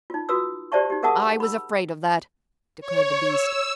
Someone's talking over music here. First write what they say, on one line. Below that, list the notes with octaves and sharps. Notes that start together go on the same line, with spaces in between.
"I was afraid of that," declared the beast.
D#4 F4
F4 F#4 B4 D#6 E6
G4 C5 D5 E5 A5 C#6
D#4 G4
G#4 A#4 E5 F#5 A5 D#6
B5 E6
C#5
E6